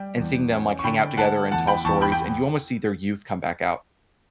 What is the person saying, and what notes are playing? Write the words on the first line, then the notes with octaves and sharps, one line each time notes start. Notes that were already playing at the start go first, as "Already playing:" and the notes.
and seeing them, like, hang out together and tell stories, and you almost see their youth come back out.
Already playing: G3 G5
E2
C#4
C#6
D3 G5 B5
A3 F#5 A5
E2 F#5 A5
G5 B5
E2 A5 C#6
G5 B5
G5